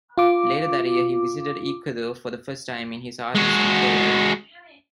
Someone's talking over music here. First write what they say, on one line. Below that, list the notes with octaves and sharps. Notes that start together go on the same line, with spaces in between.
Later that year he visited Ecuador for the first time in his artistic career.
F4 D6
G#3 F#4